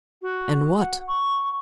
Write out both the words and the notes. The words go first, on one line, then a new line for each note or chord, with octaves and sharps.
"And what?"
F#4
F#5
C#6